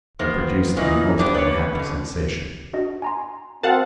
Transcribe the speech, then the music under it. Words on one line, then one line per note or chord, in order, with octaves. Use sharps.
They produced a most unhappy sensation.
D#3 A#3 B3 C5
A#2 D#3 E3 A#3 D#4
B3 D4 G4 C5 D5
B4 C#5
B2 D3
D4 F#4 D#5
G#5 A#5 C6
C4 F#4 A#4 F5 F#5 A5